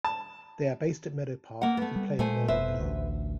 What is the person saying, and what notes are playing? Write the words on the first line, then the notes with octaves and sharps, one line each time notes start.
They are based at Meadow Park and play in royal blue.
A5
A#3 F#5
A3 B3
G3
A#2 G#3 A3 C5 G#5
F1 B2 B4 C5 E5
A1 D2